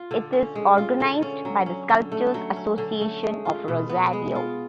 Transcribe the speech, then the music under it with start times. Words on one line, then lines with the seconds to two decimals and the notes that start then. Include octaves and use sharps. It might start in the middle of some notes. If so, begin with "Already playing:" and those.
It is organized by the Sculptors Association of Rosario.
Already playing: F4
0.11 D3
0.33 C#4
0.55 G#3
0.78 F4
1.00 D3
1.22 C#4
1.45 F#3
1.66 C#4
1.89 D3
2.12 A3
2.34 F#3
2.56 C#4
2.78 D3
3.01 A3
3.23 G#3
3.45 F4
3.68 B2
3.89 B3
4.13 G#3
4.35 F4